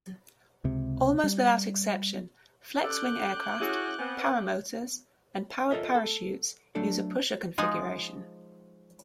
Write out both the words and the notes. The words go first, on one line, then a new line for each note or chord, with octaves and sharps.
Almost without exception flexwing aircraft, paramotors and powered parachutes use a pusher configuration.
C#2 C3
G3
C#4 A4 D5 D6 F#6 G6
C#4 E4 F#4 G#4
B3 C4 G#5
F4 A4 A#4 D#5 E5
A4
F#3 A3 D4 A4 D5
F3 G#3 D#4